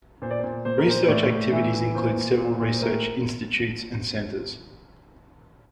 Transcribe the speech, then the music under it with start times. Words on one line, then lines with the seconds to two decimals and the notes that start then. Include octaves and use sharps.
Research activities include several research institutes and centres.
0.22 A#2 C5
0.31 D5
0.39 A#2 C5
0.65 A#2 C5
0.78 A#4
0.87 A#2 C5
1.08 A2 D5
1.30 A2
1.52 E3 E5
1.74 E3
1.95 A#2 C5
2.16 A#2
2.38 A#2
2.60 A#2
2.73 C5
2.82 A2 A#4